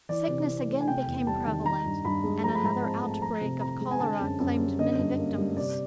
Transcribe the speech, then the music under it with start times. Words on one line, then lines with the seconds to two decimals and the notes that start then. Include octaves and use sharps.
Sickness again became prevalent, and another outbreak of cholera claimed many victims.
0.09 E3 D5
0.28 C3
0.48 C4
0.68 A3
0.81 G#5
0.87 C3 G5
1.06 E2
1.27 G3 A5
1.47 D#3
1.65 D#3 A#5
1.86 G2
2.05 G2 B5
2.24 G#3
2.44 F3 A#5
2.55 B5
2.63 G#2 A#5
2.82 C4 A5
3.03 A3
3.11 A5
3.22 F3 A#5
3.41 C3
3.61 C4 A#5
3.80 G#3
3.91 G#5
4.00 D3 A5
4.20 F#2
4.40 F#2
4.59 G3
4.79 D3 D#5
4.99 G2
5.19 A#3
5.38 G3
5.56 C3 D5